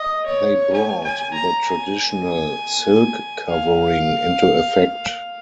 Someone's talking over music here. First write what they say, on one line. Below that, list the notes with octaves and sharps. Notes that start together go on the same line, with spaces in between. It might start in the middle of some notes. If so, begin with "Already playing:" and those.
They brought the traditional silk covering into effect.
Already playing: D#5
C#5
G#5
G#5
A#5
G#5
F5